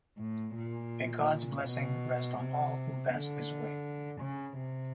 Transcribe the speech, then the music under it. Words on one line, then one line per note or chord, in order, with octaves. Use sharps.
May God's blessing rest on all who pass this way.
A2
A#2
B2
C3
D3
C#3
C3